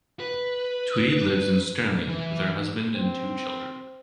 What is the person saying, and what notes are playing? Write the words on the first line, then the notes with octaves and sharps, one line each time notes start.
Tweed lives in Stirling with her husband and two children.
B4
E3
C4